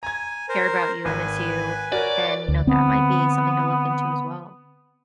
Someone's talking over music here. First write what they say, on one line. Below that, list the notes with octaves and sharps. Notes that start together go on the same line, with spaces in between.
care about you, I miss you." And, you know, that might be something to look into as well.
G#5 A#5 G#6
A#4 C5
G#1 B4 G#5
F#4 A#4 C#5 D5
D2
D3 B3 C4